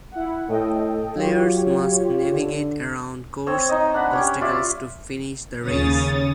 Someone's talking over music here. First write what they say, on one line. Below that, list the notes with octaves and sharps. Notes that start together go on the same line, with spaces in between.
Players must navigate around course obstacles to finish the race.
E4 F#5
A2 A4 D#5 G5
F#3 F4 G4 C#5
D3
C4 C#5 E6
D#4 D#5
D4 F#5 B5
C#4 G4 C#5
F4 F#4 D5 E5
D#2 C#3 C#5 D#6 A6